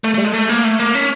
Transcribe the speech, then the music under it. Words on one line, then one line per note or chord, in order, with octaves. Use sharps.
They are.
A3
A3
G#3
A3
A#3
A3
A#3
C#4